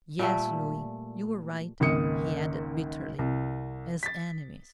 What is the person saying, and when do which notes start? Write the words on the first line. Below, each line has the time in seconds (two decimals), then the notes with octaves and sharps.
"Yes, Louis, you are right," he added bitterly,--"as enemies."
0.19 A#2 G3 A3
1.80 G#1 C#2 A#3 D#6 C#7
3.19 C2
4.03 A6 B6